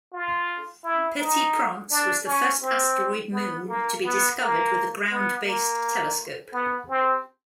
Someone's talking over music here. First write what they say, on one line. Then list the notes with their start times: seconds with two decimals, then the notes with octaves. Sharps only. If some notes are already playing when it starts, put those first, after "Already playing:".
Petit-Prince was the first asteroid moon to be discovered with a ground-based telescope.
0.13 F4
0.84 E4
1.19 D#4
1.91 D4
2.26 C#4
2.62 C4
3.33 B3
3.69 A#3
4.04 B3
4.40 A#3
5.12 B3
5.47 A#3
6.53 B3
6.89 C4